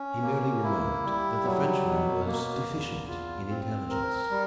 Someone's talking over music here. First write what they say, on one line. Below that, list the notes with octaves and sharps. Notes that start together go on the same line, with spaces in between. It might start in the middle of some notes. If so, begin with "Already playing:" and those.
He merely remarked that the Frenchman was deficient in intelligence.
Already playing: C#4
A#3
E4
G3
F#3
B2
A#3
E2
F4
C4
A#4
G3